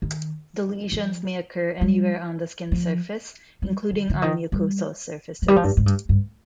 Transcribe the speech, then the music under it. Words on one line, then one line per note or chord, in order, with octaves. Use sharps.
The lesions may occur anywhere on the skin surface, including on mucosal surfaces.
D#3
F3
G3
F3
G3
D#3
D3
D#3
G3
F3
G3
F3
G2
G#2
G2
G2